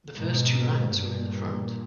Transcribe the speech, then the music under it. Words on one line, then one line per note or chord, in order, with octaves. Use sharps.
The first two ranks were in the front.
G#2 B2
G2 A#2